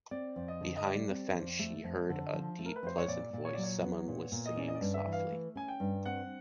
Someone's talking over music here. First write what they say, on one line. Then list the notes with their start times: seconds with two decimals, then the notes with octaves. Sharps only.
Behind the fence, she heard a deep pleasant voice: someone was singing softly.
0.11 C4 D5
0.36 F2
0.48 D#5
0.61 D3
0.76 D#5
0.85 G3 D5
1.10 C4
1.34 F2
1.59 A3
1.84 F2
2.10 D3
2.34 F3
2.59 A3
2.66 A#4
2.76 B4
2.83 F2 C5
2.98 C#5
3.08 A#2 D5
3.33 A#2
3.45 C#5
3.54 F#3 D5
3.63 C#5
3.82 B3
4.08 A#2
4.32 A#2
4.46 D#5
4.57 C#4 D5
4.68 D#5
4.75 D5
4.81 G2
4.94 E5
5.07 E3
5.12 F5
5.31 A3
5.55 C#4 G#5
5.68 G5
5.80 G2
6.05 C4 F#5